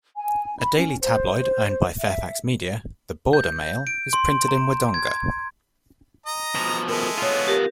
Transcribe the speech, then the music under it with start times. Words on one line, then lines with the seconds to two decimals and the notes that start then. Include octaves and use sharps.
A daily tabloid owned by Fairfax Media, the "Border Mail", is printed in Wodonga.
0.15 G#5
0.59 B5
0.77 C#4
1.02 C5
1.98 E5
3.33 G6
3.87 D7
4.13 C6
4.48 A#5
4.94 G#6
6.26 D#5 A#5
6.55 B2 F3
6.88 G#3 A3 A#4
7.18 B3 F4 A4 C#5
7.48 G4 A#4